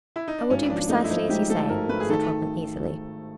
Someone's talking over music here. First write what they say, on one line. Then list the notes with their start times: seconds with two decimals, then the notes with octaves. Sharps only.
"I will do precisely as you say," said Robin easily.
0.16 E4
0.28 D#4
0.39 D4
0.50 G#1 C#4
0.70 F3 D4
0.89 A3 D#4
1.04 E4
1.10 F3 D#4
1.29 G#2 G4
1.50 A3 A4
1.69 G#1 A#4
1.89 A3 B4
2.00 G#4
2.09 D#3 A4